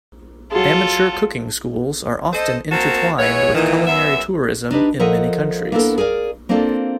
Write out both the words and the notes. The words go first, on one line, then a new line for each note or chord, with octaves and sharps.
Amateur cooking schools are often intertwined with culinary tourism in many countries.
F#3 F4 G#4 A4
A4 C5 D#5
A#3 C4 F#4 A#4 C5 A5
E3 G#3 B3 C#5
A#2 D#3 E3
F#2 B3 E5
D4 D#4 G4 B4
F3 A4 A#4 D#5 E5 F#5
A#3 B3 D4 E4 A4 A#4
G#4 A#4 D5 F5
A#3 C4 D4 F4 A4